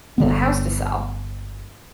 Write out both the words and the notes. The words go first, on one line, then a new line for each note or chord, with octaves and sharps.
the house to sell,
G1 D3 B3